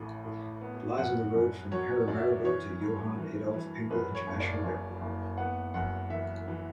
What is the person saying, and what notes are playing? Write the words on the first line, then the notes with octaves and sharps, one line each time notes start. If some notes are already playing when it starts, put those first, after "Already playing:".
It lies on the road from Paramaribo to Johan Adolf Pengel International Airport.
Already playing: A1 A2
A2
B3
F#2 F#5
F#2
F#3 C#5
F#2 D5
E5
D5
E3 C#5
G2
E3
E3
F#2 B4
C#5
F#1
D5
F#2
F#1
B3 F#5
F#2 F#5
E3 E5
E3